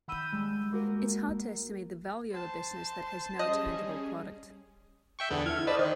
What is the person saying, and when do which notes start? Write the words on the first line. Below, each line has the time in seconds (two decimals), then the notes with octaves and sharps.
It's hard to estimate the value of a business that has no tangible product.
0.08 D#3 F#5 B5 E6 G6 D#7
0.33 G3 G#3
0.71 G#3 A#3 F#4 A#4
2.32 C5 A5
3.39 G3 C#4 G#4 D#5
5.19 E5 G5 C#6
5.30 E2 D3 B3 A4
5.46 E4 F6 G#6
5.67 B4 C5 D5 D#5 A5 B5
5.79 D#3